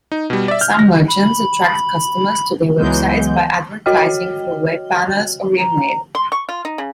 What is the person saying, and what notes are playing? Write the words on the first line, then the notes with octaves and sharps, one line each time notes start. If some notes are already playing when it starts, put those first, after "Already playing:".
Some merchants attract customers to their websites by advertising through web banners or email.
D#4
B2 G3
D5 E5
F6 G6
F6 A#6
B5
C#2 E3 F#3 G#3 B3 G6
F#4 C#5 D#5 G5 F6
A#5
C6
C#6
F4
D#4
C#3